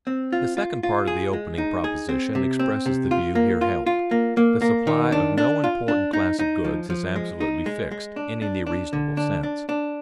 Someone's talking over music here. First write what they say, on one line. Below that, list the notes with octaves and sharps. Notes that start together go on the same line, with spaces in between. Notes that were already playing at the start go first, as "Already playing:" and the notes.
The second part of the opening proposition expresses the view here held: the supply of no important class of goods is absolutely fixed, in any reasonable sense.
C4
F4
F4
F4
G#4
G#3
D#4
G#4
C4
C3
C4
C3
F4
A#3
F4
F4
A#3
A#3
A#3
D#3
D4
D4
F4
D4
D#4
D#4
F3
F3
G#3
D#4
G#3
G#3
D4
D4
D4
D3
D4
D4
D4